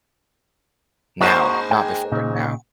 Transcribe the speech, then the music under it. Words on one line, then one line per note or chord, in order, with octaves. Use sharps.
Now. Not before, but now.
G#2 A#3 D#4 F#4 C5
G#4 G5
A#2 C#3 D#4